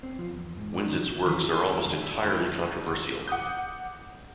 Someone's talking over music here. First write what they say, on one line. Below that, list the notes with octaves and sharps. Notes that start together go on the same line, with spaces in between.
Winzet's works are almost entirely controversial.
C4
F3
E2
G#2
D5
D#3
E3
G#4
A#4
D4
E5
E4
F#4
D#5
F#3
F#5 D6 D#6 G6